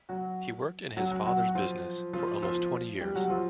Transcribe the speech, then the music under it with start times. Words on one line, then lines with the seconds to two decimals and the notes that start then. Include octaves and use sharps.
He worked in his father's business for almost twenty years.
0.09 F#3 F#4
0.97 F#3 F#4
1.11 F#3 F#4
1.26 F#3 F#4
1.49 F#4
1.55 F3 F4
2.13 F3 F4
2.42 F3 F4
3.01 G3 G4
3.15 F#3 F#4
3.30 F3 F4